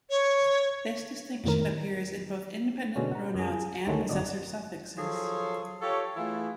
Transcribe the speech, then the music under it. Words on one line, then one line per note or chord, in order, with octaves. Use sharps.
This distinction appears in both independent pronouns and possessor suffixes.
C#5
F2 A2 D#3 A#4
B2 D3 G#3 C#4
F#5 A#5
F#2 G#4
G#4
D2 D#3 F#3 G#3 A3
G1 F#2 D5 D#5
F3 F#3 G#4 A4 C#5 C6
F4 G4 A4 C#5
E3 A3 E4 F4 G#4